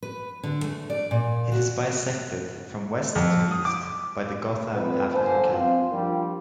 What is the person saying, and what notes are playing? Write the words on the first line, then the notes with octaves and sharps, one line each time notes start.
It is bisected, from west to east, by the Gotham Avenue Canal.
B4
D3
A3
D5
A#2
F#4
F2
D#6
D6
F2 B4
G1 D3 A#3 C5 G#5 A5
C4 F4
F3 G3 A#3 D4 F4 G4